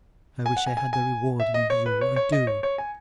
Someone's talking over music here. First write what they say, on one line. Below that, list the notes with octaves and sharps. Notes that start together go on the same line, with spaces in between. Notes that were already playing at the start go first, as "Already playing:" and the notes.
'I wish I had the rewarding of you--I do.'
G#5
F#5
G#5
G#5
G#5
E5
D#5
C#5
B4
C#5
C#5
D#5
C#5
C#5
G#5